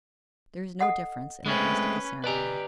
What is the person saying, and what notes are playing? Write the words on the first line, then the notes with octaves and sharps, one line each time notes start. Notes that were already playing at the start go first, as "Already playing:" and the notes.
There is no difference in the rest of the ceremony.
A4 D#5 F#5
G#3 A3 C4 C#4 B4
G4 B4 D5 D#5 G#5 A#5